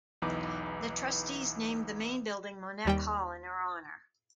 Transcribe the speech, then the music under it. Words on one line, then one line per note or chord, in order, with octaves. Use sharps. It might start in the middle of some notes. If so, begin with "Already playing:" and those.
The trustees named the main building Monnett Hall in her honor.
B1 E2 E3 D#4 B4 D6
D#2 G3 G5